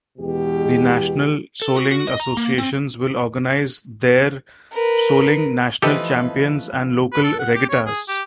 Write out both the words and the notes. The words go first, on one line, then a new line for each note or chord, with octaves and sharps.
The National Soling Associations will organize there Soling National Champions and local regattas.
E2 B2 G#3 G4
A4
F#4
F#4
D#5
A#5
A#3
C4
A#4 B4
E3 F3 A3 G4 A4 B4 D#5 B5
B4
A4
F#5
G4
C#5
G#4
G4